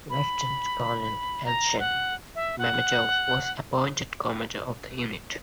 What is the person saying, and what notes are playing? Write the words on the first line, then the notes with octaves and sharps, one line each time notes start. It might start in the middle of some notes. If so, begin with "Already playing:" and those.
Lieutenant Colonel Elchin Mammadov was appointed commander of the unit.
B5
A#5
F#5
E5
F#5